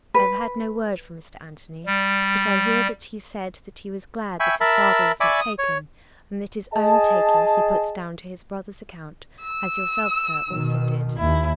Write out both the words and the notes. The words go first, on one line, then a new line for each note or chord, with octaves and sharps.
I have had no word from Mr. Anthony, but I hear that he said that he was glad that his father was not taken, and that his own taking he puts down to his brother's account, as yourself, sir, also did.
B4
G3
E5 G5 G#5 B5 C#6
A#4 E5 A5 B5
D5 E5 G#5 B5 C#6 D6
D#6
C#5
G#4 D#5 A5
E6
B2 D#3
D#2 E4